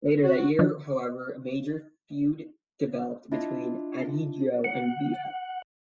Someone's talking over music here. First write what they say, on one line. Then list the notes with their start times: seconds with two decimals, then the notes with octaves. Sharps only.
Later that year, however, a major feud developed between Ahidjo and Biya.
0.23 F#4
0.59 D3 D#3 F3
3.31 D4 E4 F4 D#5
4.64 F#5